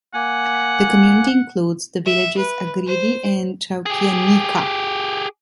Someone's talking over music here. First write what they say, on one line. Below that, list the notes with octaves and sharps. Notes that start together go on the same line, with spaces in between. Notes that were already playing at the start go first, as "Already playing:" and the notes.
The community includes the villages Agridi and Chalkianika.
A#3 F#5 G#5
E5
B4
C5
G4 G#4